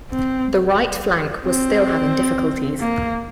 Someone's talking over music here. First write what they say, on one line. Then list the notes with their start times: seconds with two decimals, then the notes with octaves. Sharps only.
The right flank was still having difficulties.
0.11 C4
1.45 C4
2.79 A#3